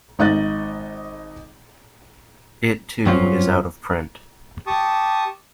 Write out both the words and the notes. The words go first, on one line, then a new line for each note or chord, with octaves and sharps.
It too is out of print.
G#1 D#4 D#5 F#6 A6
G2 F#3 C4 C#4 F4 C5
G4 A5 C#6 D#6